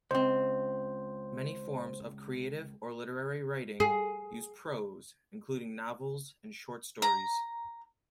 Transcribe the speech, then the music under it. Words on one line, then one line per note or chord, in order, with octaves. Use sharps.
Many forms of creative or literary writing use prose, including novels and short stories.
C#2 C4 C5
G#4
A#5